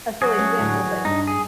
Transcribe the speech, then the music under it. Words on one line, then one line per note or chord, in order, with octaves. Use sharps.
a silly example, but
F#3 F#4 G#4
A3 C#4
D2 A2 D3
E3
G2 D#4
G#4